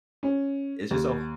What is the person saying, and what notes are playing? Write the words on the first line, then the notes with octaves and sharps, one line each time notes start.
it's just a wh
C#4
D#2